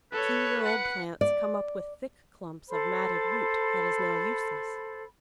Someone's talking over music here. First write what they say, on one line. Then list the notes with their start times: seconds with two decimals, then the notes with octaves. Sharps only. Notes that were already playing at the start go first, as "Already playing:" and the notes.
Two-year-old plants come up with thick clumps of matted root that is now useless.
0.12 A4 B4 C#5
0.64 F#5 C#7
1.21 D5
2.69 A4 C5 B5